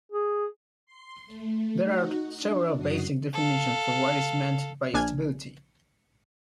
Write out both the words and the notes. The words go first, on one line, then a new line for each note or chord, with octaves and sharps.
There are several basic definitions for what is meant by stability.
G#4
C6
A3
D#4 F#4
D4
F#2 F#4 D#6 C7
A4 F5
A#1 D4 G#5 F6 G#6